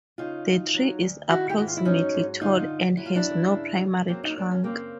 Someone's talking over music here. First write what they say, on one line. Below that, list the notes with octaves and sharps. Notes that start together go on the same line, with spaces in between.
The tree is approximately tall and has no primary trunk.
C#3 D#4 F4
D2
F#3
D2
D#3 E4 F#4
G4
G#2 F#4
F4
E4
F#3 C#4 D#4
G#2
D3 D#4 F4
G2
F#3 E4
F4
D4 E4
G2
C#3
F#2
F#3 A#3 C4
D#4
F#2 D4
C#4
C#3 A#3 C4